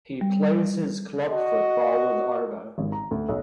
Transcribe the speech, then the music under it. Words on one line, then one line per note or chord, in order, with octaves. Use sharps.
He plays his club football with Arva.
G3
F#4 D#5
G#1
A#5
D2
B1